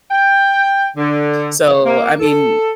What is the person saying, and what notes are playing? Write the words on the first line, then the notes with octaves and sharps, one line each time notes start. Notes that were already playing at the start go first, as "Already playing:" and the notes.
So, I mean,
G5
D3
A#3
A4